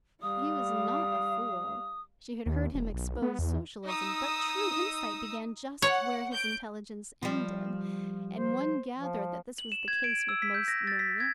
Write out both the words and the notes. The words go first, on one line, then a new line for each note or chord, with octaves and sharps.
He was not a fool--she had heard him expose Socialism--but true insight began just where his intelligence ended, and one gathered that this was the case with most millionaires.
G3 F5 D#6
D#2
E1
B1
B3
E2
D#4 D#6 E6
C#5 F#5
G6 D7
F3 G3
C5
F3
F#7
E7
G#6
D7
E6
B6
G6
A#6
A6
B6
G#6